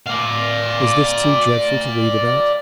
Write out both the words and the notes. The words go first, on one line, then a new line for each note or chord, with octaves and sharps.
Is this too dreadful to read about?
D5 F5